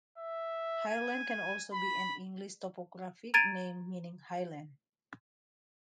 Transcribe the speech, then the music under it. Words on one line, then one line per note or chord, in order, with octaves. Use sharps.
Hyland can also be an English topographic name meaning "high land".
E5
G#5
B5
A#5 G#6 A6 D7 D#7